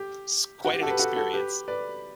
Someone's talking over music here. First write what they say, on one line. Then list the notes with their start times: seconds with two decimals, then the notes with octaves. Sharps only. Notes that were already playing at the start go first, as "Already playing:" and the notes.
It's quite an experience.
Already playing: G4
0.65 F#4
0.73 G4
0.81 F#4 A4
0.90 G4 B4
0.99 F#4 A4
1.16 F#4 A4
1.33 G4 B4
1.68 B4 D5